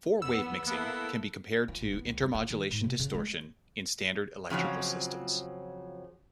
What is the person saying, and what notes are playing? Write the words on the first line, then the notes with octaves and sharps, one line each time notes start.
Four-wave mixing can be compared to the intermodulation distortion in standard electrical systems.
E2 B3 E6
A#3 B3 E4 A4
F4
G#1
B3
C#2
G2
F4
D#3
G#2
C3
C#3
G#3
F2 C#3 F3 F#3